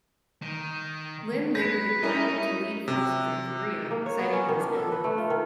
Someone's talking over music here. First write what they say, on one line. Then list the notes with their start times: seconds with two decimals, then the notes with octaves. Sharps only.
Lin later declined to lead forces in Korea, citing his ill health.
0.42 D#3
1.55 B4 A#6
2.03 C#4 D#4 E4 A#4
2.88 C3
3.91 A#3
4.06 C#5
4.19 B3
4.33 C#4
4.49 D#3
4.61 D4
4.77 A4
4.92 B4
5.04 A3
5.18 F4
5.30 D#3